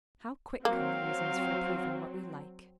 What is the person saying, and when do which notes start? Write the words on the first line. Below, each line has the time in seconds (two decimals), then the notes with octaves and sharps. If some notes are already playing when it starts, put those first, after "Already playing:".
How quick come the reasons for approving what we like!
0.65 F#3 A#3 C4 F5